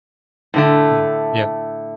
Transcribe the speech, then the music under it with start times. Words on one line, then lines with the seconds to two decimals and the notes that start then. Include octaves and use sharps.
Mhm, yeah.
0.54 A2 D3 A3